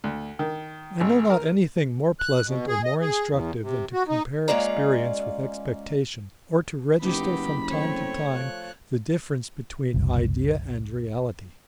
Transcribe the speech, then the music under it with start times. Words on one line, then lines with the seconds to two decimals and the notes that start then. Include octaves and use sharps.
'I know not any thing more pleasant, or more instructive, than to compare experience with expectation, or to register from time to time the difference between idea and reality.
0.04 D2
0.39 D#3
1.00 G#1
1.30 A#4
2.20 F#6
2.46 B2
2.68 G#4
2.84 D#5
3.01 G#4
3.29 E2
3.62 C3
3.93 F#4
4.08 D#4
4.48 G#3 A#3 C#4 F4 D5 A#5
7.02 F#1 B3 D#4 G4 B5
7.70 A3 C4 C#5
8.33 F3 F#6
9.94 F#1 C2